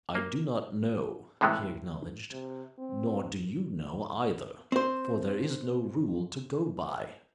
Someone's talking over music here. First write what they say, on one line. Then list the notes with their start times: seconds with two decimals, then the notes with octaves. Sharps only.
"I do not know," he acknowledged; "nor do you know, either, for there is no rule to go by."
0.15 A#3
1.41 A2 C3 E3 G#3 A3 B3
2.32 C3
2.79 C4
4.72 C4 C5